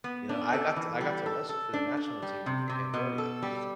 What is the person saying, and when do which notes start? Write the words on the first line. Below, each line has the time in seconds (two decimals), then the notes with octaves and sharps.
you know? I got t I got to wrestle for the national team for Cambodia, you know?
0.04 B3
0.29 D4
0.53 A4
0.76 E3
1.01 G3
1.26 A4
1.49 A4
1.73 D4
1.97 D4
2.22 G3
2.46 C3
2.69 C3
2.94 B2
3.18 A4
3.43 G3